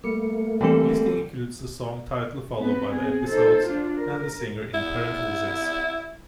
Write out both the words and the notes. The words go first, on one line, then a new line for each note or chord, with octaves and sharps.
Listing includes the song title followed by the episodes and the singer in parentheses.
G3 A3 A#3 C#7
D3 E3 G3 C4 A4
B3 C4 B4
C4 G#4
D#4 A4 C5
D4 F4
A#4
E4